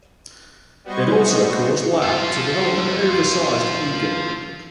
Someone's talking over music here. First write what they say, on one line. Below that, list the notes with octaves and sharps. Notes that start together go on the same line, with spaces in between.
It also caused Lamb to develop an oversized ego.
G3 B3 F#4 C5 D#5 C#6
F4 A4